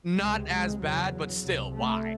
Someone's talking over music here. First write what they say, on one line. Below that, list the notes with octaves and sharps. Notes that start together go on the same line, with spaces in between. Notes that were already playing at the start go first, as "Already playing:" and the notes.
not as bad, but still, why?"
C#2 C3 G#3
G#3
E2 C#3 F#3
C2 C3
A3